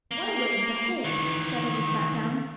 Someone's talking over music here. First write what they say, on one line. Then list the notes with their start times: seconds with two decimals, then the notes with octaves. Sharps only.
"What a way you behaved!" he said, as he sat down.
0.11 A#3
1.04 D#3 E3